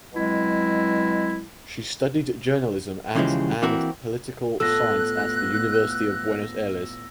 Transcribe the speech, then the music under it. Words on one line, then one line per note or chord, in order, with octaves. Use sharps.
She studied journalism at and political science at the University of Buenos Aires.
B2 F#3 G#3 C4 E4
D#2 C#3 E3 F3 G#3
E3 A#3 C4 F#4
A2 B3 F4 A4 E6 F#6 A#6